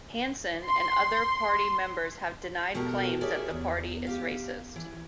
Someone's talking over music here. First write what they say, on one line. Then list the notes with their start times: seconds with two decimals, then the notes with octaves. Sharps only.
Hanson and other party members have denied claims that the party is racist.
0.64 C6
2.74 B2 F#4 G4 A4 A#4
3.21 G4 G#4 A#4 C#5 D5 E5
3.51 E2
4.07 G4 F5
4.76 E3